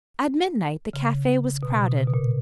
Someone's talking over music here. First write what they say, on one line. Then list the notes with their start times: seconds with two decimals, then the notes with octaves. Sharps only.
At midnight the cafe was crowded.
0.93 C#3
1.63 B2
1.80 B2
1.97 C#3
2.07 B2
2.14 A#2